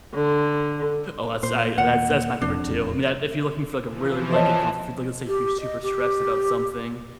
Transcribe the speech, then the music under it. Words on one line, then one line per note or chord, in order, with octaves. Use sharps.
Oh that's I uh, that's that's my favorite too, I mean, I if you're looking for, like, a really, really good comfort food, like, let's say if you're super stressed about something,
D3
A#2 C5
D#2 A#2 F#5
E1 F2 C3 D4
E3 F3
C5 C#5 D#5 A5
G4
D#5
G4